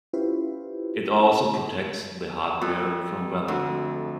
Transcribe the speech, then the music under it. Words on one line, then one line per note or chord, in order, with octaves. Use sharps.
It also protects the hardware from weather.
C#4 E4 F4 G4 B4 C5
F2
D2